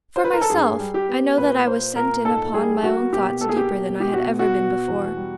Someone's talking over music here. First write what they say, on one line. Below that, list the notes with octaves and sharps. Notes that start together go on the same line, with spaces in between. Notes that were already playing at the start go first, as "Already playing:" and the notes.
For myself, I know that I was sent in upon my own thoughts deeper than I had ever been before.
C5
B4
A#4
A4
G2 G#4
G3
G4
B3
A#2 B4
A#3 C5
A#2 A#4
G#2 A4
G3 G#4
A#3 F#4
B2 G4
A#3 A4
G#4
G4
B2
B2 G4
F#4
B3
F#4
B2
E2
G3